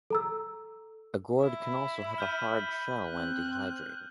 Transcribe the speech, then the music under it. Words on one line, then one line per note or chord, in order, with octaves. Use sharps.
A gourd can also have a hard shell when dehydrated.
A4 A#5 E6
E4 B5
F6 G6 D#7
C4 F#6